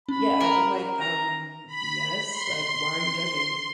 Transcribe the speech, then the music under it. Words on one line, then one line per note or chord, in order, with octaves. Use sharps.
Yeah, I'm I'm like, um, "Yes, like why are you judging?
C#4 B5
A#4
A#5
B5
C6